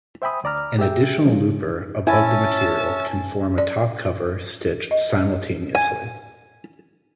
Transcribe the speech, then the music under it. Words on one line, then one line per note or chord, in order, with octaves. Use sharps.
An additional looper above the material can form a top cover stitch simultaneously.
C5 E5 G5 G#5 B5 D#6
D2 D5 A#5 F6
G4 G#4 E5 G5
C#3 F3 G#3
C#4 E4 E5 G#5 A5
D5
D#5
G#5